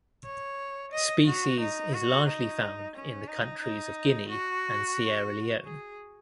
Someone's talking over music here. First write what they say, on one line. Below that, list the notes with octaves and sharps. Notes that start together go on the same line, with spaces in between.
Species is largely found in the countries of Guinea and Sierra Leone.
C#5
D#5
F#4
D#4
F#4
D#4
C#4
D#4
D#4
F#4
G#4